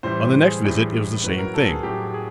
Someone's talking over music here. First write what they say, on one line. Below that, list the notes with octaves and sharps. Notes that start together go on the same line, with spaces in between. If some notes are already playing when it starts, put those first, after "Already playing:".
On the next visit it was the same thing.
A2 E3 G3 C5
G#4
A2 E3 G3
A2 F#3 B4
A#4
A4
G#4
A2 F#3 G4
G#4